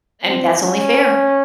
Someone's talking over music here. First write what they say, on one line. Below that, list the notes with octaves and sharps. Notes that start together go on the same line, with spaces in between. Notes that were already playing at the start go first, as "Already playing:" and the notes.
And, that's only fair.
C4
C#4